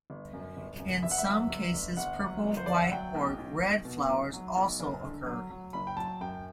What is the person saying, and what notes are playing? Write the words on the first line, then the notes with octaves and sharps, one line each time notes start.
In some cases purple, white or red flowers also occur.
G1
F#2
G1
F#2
G1 E5
F#5
E5
F#3
G1
G1
G1 F#5
F#3
G1
C5
G1 D5
E5
F#5
F#3 G5
B1
B1
B1
B2
B1
F#3
B1
F#1
D3
F#3
F#3
F#1 B5
G5
F#3 A5
F#2 G5